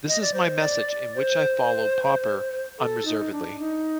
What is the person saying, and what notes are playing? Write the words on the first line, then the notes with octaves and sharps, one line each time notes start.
This is my message in which I follow Popper unreservedly.
D#5
D5
C5
D5
D5
C5
A4
D#4
D4
D#4